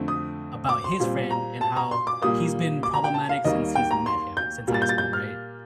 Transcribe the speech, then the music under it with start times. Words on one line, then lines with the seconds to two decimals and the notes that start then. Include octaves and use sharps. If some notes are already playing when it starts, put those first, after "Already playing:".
about his friend and how he's been problematic since he's met him, since high school, right?
Already playing: F2 D3 A3 C4
0.08 D#6
0.69 D6
0.84 C6
1.00 A#2 G3 C4
1.31 A#5
1.61 A5
1.76 A#5
1.91 C6
2.07 D6
2.22 A#2 G3 A#3 D#6
2.83 D6
2.94 A#5
3.04 G5
3.14 A5
3.29 F5
3.45 D#2 D#3 G3 A#3 D#5
3.75 G5
3.91 A#5
4.06 C6
4.37 G6
4.67 A#2 G3 A#3
4.74 A6
4.82 G6
4.89 A6
4.98 G6
5.13 F6